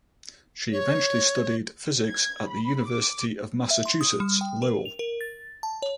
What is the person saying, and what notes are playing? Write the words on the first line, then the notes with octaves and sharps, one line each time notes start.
She eventually studied physics at the University of Massachusetts Lowell.
C#5
G#6
B5
D6
E5
C6
D#6
G3
G5
A#4
F7
A#4
A6
A5
C#5